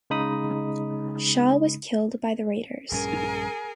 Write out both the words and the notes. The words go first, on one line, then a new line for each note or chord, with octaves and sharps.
Schaw was killed by the raiders.
C#3 G#3 D#4 B5 D#6
A#1 G2 C#4 G#4 A#4 G#5